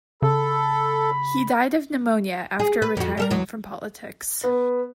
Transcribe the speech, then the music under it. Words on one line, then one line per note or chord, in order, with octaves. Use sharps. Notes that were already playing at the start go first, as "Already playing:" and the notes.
He died of pneumonia after retiring from politics.
C#3 A4 B5
G#4
B4
F2 F#4
G3 A4 A#4
E2 F#3
B3